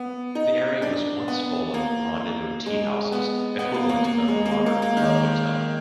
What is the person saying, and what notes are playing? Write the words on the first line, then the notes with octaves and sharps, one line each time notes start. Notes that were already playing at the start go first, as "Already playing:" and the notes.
The area was once full of "rendezvous teahouses", equivalent of the modern love hotel.
Already playing: B3
D#4
D4
B3
A#3
G#3
B3
B3
A#3
A#3
A#3
G#3
A#3
G#3
A#3
A#3
D#3